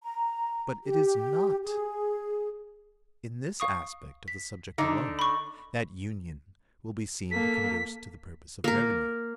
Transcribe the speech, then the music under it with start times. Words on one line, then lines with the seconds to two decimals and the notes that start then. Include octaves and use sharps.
But it is not in this aspect of the subject alone that Union will be seen to conduce to the purpose of revenue.
0.03 A#5
0.84 G4
1.63 G#4
3.60 F5 C#6 D#6
4.28 B6
4.78 D3 D4 D#4
5.19 B5 C#6
7.31 A#3 A4 B6
8.64 A#3 A#4